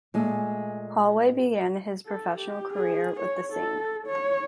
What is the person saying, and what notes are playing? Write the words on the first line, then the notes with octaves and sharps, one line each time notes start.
Holway began his professional career with the St.
A#2 G#3 A3 G#4 A4
A4
G4
G#4
C#5
A4
C#5